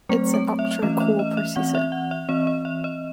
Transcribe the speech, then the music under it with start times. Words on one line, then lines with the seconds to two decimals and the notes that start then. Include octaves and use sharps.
It's an octa-core processor.
0.09 F#3 A3 C4 C5
0.34 C#5
0.59 E5
0.71 E5
0.82 E3 A3 C#4 D#5
1.00 E5
1.19 D#5
1.37 E5
1.56 E3 C4 F#5
1.75 E5
1.92 F#5
2.11 E5
2.29 E3 C4 D#5
2.47 D#5
2.65 E5
2.84 D#5